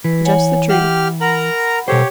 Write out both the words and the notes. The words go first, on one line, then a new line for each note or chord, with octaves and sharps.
"Just the truth."
E3 B4
C#5 F#5 G#5
G4 E5 F#5 G5 F6
A#4 F#5 A#5 B5
B2 G4 A4 C5 C#5